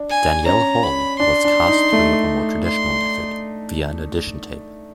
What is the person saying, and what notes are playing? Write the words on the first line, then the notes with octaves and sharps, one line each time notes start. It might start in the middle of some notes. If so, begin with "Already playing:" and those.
Dannielle Hall was cast through a more traditional method, via an audition tape.
Already playing: D4
G#5
C#4 A#5
B5
D4 C6
D4
D#4
A3
C6